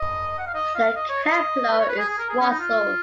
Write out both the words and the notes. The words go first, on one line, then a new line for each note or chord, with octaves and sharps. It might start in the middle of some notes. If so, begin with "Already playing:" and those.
The capital is Roseau.
Already playing: D#5
F#5
F5
D#5
F5
D#5
C#5
D#5
B4
C#5
B4
G#4
G#4
A#4
G#4
C#4
D#4
F4